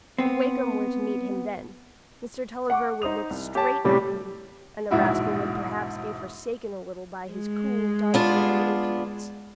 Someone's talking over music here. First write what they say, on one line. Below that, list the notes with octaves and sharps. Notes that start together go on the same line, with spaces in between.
If Wakem were to meet him then, Mr. Tulliver would look straight at him, and the rascal would perhaps be forsaken a little by his cool, domineering impudence.
B3 C4
F#5 C#6 D6
D#4 C5 D#6 F7
C2
G4 C#5 A5
A2 C3 G3 C#4 G4
E1 A#1 G#2 E4 F#4
G#3
B3 D4 F4